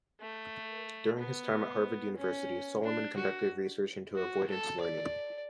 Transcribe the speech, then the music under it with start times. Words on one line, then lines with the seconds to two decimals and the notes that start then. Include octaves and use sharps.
During his time at Harvard University, Solomon conducted research into avoidance learning.
0.21 A3
1.19 B3
2.17 C#4
2.83 D4
3.17 F#4
4.15 F#4
4.48 A4
4.80 D5